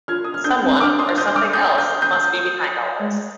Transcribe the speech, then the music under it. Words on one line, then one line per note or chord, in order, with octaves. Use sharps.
Someone, or something else must be behind all this.
F4 F6 G#6
D#6
F6
D4 D#6 G6
C4
D4 D6 F6
C6 D#6
D#6 G6
D6 F6
D#6 G6
D#6 G6
D#6 G6
G#3